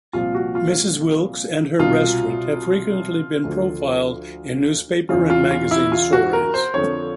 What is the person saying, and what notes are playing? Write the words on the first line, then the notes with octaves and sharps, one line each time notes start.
Mrs. Wilkes and her restaurant have frequently been profiled in newspaper and magazine stories.
C2 A#2 F3 F4
F#4
F4
C2 B2 F4
D2 D3 F3
E2 C#3 E3 F4
F4
F4
E4
F4
F#4
A#4
C5
F2 D3 F3 C#5